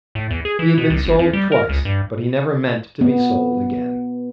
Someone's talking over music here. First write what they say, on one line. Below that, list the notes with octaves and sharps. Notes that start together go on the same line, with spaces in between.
He had been sold twice, but he never meant to be sold again.
A2
E2
G#4
E3
B2
C2
G1
F2
G3
A#4
C#2
G2
B3